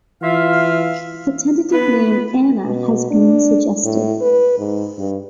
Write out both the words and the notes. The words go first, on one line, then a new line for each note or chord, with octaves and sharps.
The tentative name "Anna" has been suggested.
E3 F4 E5 F5
B3 B4
B2
D4
A2
B4
G#2
G2